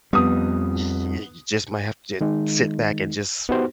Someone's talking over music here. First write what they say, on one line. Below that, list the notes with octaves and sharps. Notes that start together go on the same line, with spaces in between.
y y you just might have to sit back and just
F2 G3 B3 D#6
D#3 G#3 D#4
B3 D#4 F#4 G4 C5